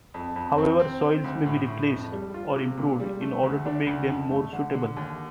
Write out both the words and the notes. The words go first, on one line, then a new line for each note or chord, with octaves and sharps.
However soils may be replaced or improved in order to make them more suitable.
F2
F2
C4
C4
C4
D2
A2
A2
F2
G3
F4
C3
A#2
G3
A3
D2
D4
D2
F2
A3
D3
D3
D#2